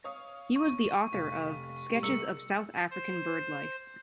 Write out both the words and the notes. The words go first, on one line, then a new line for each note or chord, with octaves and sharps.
He was the author of "Sketches of South African Bird-Life".
C#5 F5 D#6
C#6
F1 F5 B6
A2 G3
C2 C#3 A#4 E6 C#7
C5